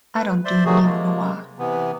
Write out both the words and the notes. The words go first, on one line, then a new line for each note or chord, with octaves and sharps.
I don't do neo-noir.
B4
C5 D5 E5 C6
C3 D#3 F#3 A3 F#4 G#4
C3 G#3 A#3
C3 E3 B3